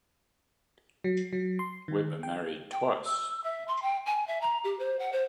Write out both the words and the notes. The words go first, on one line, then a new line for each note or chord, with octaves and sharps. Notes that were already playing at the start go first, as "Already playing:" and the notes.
Weber married twice.
F#3
F#3
C6
D#3
G5
G5
E6
E5
C6
G5
G#5
E5
A#5
G4
C5
F#5
C5